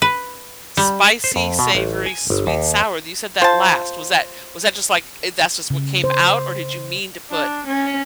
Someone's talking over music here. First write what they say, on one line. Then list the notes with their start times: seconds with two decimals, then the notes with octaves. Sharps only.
"Spicy, savory, sweet, sour," you said that last, was that was that just, like, eh, "That's just what came out," or did you mean to put
0.02 B4
0.77 G3
1.24 C5
1.36 F2
1.59 B2
1.75 A1
2.06 G#5
2.30 G1
2.47 D#2
3.42 F4 C5 A5
5.70 C#3
6.04 C5
7.31 D4
7.67 C#4